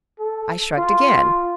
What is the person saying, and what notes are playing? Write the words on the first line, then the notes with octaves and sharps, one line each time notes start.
I shrugged again.
A4
F4